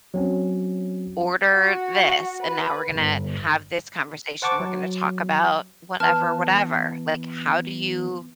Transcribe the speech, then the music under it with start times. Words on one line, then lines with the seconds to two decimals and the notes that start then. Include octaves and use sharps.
order this, and now we're gonna have this conversation, we're gonna talk about whatever, whatever." Like, how do you
0.14 F#3 C4 C#4
1.53 F#4
2.40 B4
2.89 G1
4.42 C5 F#5 A5 C#6 D6
4.60 F#3
6.00 E3 B3 B4 A5 F6